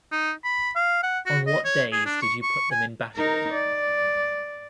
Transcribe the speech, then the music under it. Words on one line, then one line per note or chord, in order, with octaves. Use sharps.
On what days did you put them in battery?
D#4
B5
F5
F#5
F#4
D#5
C#5
G#4
D4
C#6
C#6
G#5
D#4 A#4
D5